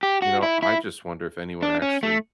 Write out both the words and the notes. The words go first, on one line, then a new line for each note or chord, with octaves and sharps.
You know, I just wonder if anyone actually
G4
F#4
E4
E4
D4
C#4
A3